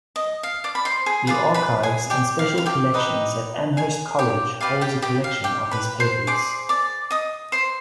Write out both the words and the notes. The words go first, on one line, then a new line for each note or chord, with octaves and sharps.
The Archives and Special Collections at Amherst College holds a collection of his papers.
D#5
F5
D5 D6
B5
C5 C6
G#4 G#5
F4 G#4 B4 D5 B5
B4 B5
G#4 G#5
G4 G5
F5
F5
G4 G5
D#4 B4 D#5
G#4 G#5
G4 G5
G4 B4 D5 F5
G4 G5
G4 G5
F5
G4 G5
B4 B5
C5 C6
G#4 C5 D5 D6
D5 D6
D#5 D#6
C5 C6